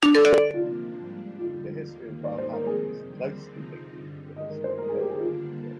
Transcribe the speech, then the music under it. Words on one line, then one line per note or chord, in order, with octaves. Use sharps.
The history of Walhalla is closely linked to the history of gold in Victoria.
D3 G3 D4
C3 F3 A#3 D4 F4
G#2 G3 D4
F2 D3 G3 F4
D#2 D#3 A#3
G#2 G3 A#3 D#4 D5
C5
A#4
F2 C3 D#3 G#4
D#2 D3 G3 C4
F2 C3 F3 C4 D#4
G2 D3 G3
G2 D#3 G#3 D#5
A#4
C5
G2 D#3 G3 A#3 A#4
G#4
G4
G#4
D3 G3 A#3 D4 F4